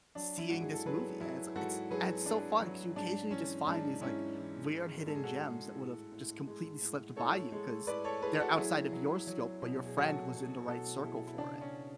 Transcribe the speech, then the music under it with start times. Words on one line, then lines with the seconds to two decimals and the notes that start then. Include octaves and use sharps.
seeing this movie, and it's it's it's so fun 'cause you occasionally just find these, like, weird hidden gems that would've just completely slipped by you 'cause they're outside of your scope, but your friend was in the right circle for it.
0.15 F#3 D4
0.38 E4
0.50 G#2 F#4
0.61 G#4
0.74 A4
0.86 F#3 G#4 B4
1.20 F#3 E4 G#4
1.55 G#2 F#4 A4
1.91 F#3 G#4 B4
2.26 F#3 D4
2.60 F#3
2.96 G#2 D4
3.31 E3 C#4
3.67 G#2 D4
4.01 G#2 C#4 E4
4.36 E3
4.71 G#3
5.07 G#2 A4
5.15 G#4
5.24 F#4 A4
5.41 G#3
5.76 A2
6.12 A2
6.47 G#3
6.81 A2
7.16 A2 A4 C#5
7.52 G#3
7.87 A2 B4 D5
8.04 A4 C#5
8.22 A2 G#4 B4
8.40 F#4 A4
8.57 F#3 E4 G#4
8.93 F#3
9.27 F#3
9.62 B2
9.86 G#4
9.97 F#3 F#4 A4
10.33 F#3
10.68 B2 F#4 A4
11.02 B2 E4 G#4
11.27 E4
11.38 C#3 D4
11.61 C#4